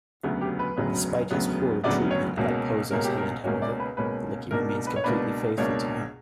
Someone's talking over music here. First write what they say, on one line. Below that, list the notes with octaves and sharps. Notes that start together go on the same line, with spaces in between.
Despite his horrid treatment at Pozzo's hand however, Lucky remains completely faithful to him.
E1 D2 C#3 F#3 B3 F#4
G4
B4
E1 D2 C#3 F#3 B3
E1 D2 C#3 F#3 B3
E1 D2 C#3 F#3 B3 D5
C#5
C#2 B2 A#3 C#4 F#4
C#2 B2 A#3 C#4 A#4
G4
A#4
C#2 B2 A#3 C#4 F#4
D5
B4
C#2 B2 A#3 C#4 B4
C#2 B2 A#3 D4 A#4
A#4
B4
C#5
C#2 B2 A#3 D4 B4
C#2 B2 A#3 D4 C#5